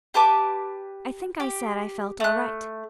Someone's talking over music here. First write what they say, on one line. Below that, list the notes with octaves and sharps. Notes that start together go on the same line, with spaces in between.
I think I said I felt all right.
G4 B4 A5 D6
G4
A3 F#6